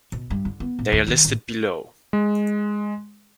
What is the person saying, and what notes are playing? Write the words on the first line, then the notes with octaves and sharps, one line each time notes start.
They are listed below.
B2
G2
D3
B3
A#2
D2
D#3
A1
G#3